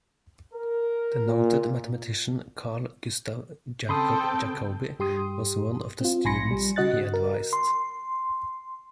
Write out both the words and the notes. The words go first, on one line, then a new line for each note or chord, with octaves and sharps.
The noted mathematician Carl Gustav Jacob Jacobi was one of the students he advised.
A#4
A#2
C#3 C4 A4 G5 B5 C6 D#6
G2 G4 C6 D#6
C4 F4
A#1 G#5 B5 C6 A#6 C#7
G3
C#3 F#4 D#5 F#6 A6
A#4
C6